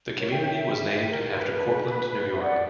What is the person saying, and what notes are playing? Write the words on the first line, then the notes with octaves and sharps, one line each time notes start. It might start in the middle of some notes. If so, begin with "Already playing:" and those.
The community was named after Cortland, New York.
A#4 C#5
E5 G5
E5 G5
E5 G5
A#4
B4
E5
D5 F#5